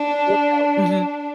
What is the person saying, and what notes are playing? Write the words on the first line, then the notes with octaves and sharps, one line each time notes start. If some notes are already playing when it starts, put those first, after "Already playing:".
workout? Mhm.
Already playing: D4